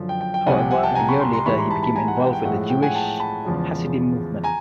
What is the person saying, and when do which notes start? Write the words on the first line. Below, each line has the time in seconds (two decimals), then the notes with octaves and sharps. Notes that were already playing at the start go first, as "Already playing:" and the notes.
However, a year later he became involved with the Jewish Hasidim movement.
Already playing: F#2 D3 F3
0.09 G5
0.21 G5
0.34 G5
0.46 C2 C3 F3 F#5 G#5
0.58 G5
0.71 F#5 G#5
0.83 G5 A5
0.95 G#5 A#5
1.09 B5 C#6
1.21 A#5 C6
1.33 A#5 C6
1.45 G#2 E3 G3 B5 C#6
1.58 A#5 C6
1.70 A5 B5
1.83 A5 B5
1.96 G#5 A#5
2.08 F#5
2.20 G5
2.33 G5
2.45 A2 F3 G#3 F#5
2.58 F#5
2.70 G5
2.83 F#5 G#5
2.95 G5 A5
3.20 A5 B5
3.45 E2 C#3 F3 G#3
4.44 G#5 A#5